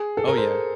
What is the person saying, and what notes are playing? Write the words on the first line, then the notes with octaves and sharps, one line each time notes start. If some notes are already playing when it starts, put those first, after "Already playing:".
Oh, yeah.
Already playing: G#4
A4
A#4
C5